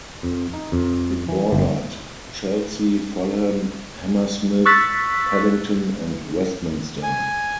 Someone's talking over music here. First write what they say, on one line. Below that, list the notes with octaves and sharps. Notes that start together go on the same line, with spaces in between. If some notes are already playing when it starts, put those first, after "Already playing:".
It bordered Chelsea, Fulham, Hammersmith, Paddington, and Westminster.
F2
D#4
F2
E3
G1
C#6 E6 F#6 A6 B6
G#5